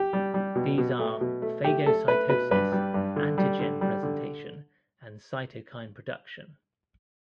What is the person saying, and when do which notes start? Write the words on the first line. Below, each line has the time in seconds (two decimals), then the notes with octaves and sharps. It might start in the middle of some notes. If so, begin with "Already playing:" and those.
These are phagocytosis, antigen presentation, and cytokine production.
Already playing: G4
0.13 G3
0.34 G3
0.55 B2
0.78 B2
0.99 A3
1.21 B2
1.42 A3
1.64 A3 G4
1.86 A3 A4
2.08 A3 B4
2.29 B2 B4
2.51 G2 B4
2.72 G3
2.94 G2
3.16 D3
3.38 G3
3.60 D3
3.81 G3
4.03 D3